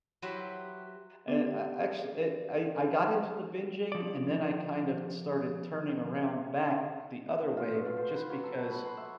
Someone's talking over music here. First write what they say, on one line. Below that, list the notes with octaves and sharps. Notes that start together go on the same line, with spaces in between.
And I I actually, it I I got into the binging, and then I kind of started turning around back the other way just because
F#3 E4 F#4 G4 B4 C5
B3 G4 D5
F3 D5
F4
B2
F4
C5
B4
F#3
A4
B5
C6
E5